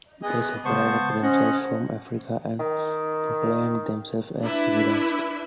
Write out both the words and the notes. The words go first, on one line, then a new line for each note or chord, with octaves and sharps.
They separated themselves from Africa and proclaimed themselves as civilized.
B3 G#4 D#5
C#3 G#3 B3 C5 A5 C#6
C#4 C5 D#5 F#5
D#3
D4 E4 B4 E5